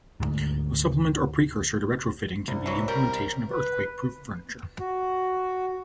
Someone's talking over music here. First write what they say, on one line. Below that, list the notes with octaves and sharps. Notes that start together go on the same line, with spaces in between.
A supplement or precursor to retrofitting can be the implementation of earthquake proof furniture.
D2 G#2
C2
E3 F#3
G3 A#4
B4
F#4